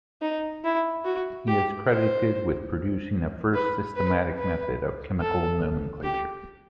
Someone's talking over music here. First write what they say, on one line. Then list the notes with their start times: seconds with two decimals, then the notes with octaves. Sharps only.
He is credited with producing the first systematic method of chemical nomenclature.
0.22 D#4
0.64 E4
1.05 F#4
1.47 G4
1.88 C5
3.54 B4
3.96 B4
4.38 B4
5.21 A4
6.03 G4